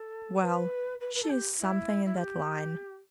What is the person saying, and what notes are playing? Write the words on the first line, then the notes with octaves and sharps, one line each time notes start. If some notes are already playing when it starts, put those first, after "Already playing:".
Well, she's something in that line.
Already playing: A4
B4
B4
B4
A4
G4
E4
E4
G4